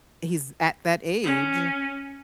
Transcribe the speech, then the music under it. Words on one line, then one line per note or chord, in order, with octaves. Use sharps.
he's at that age,
C#4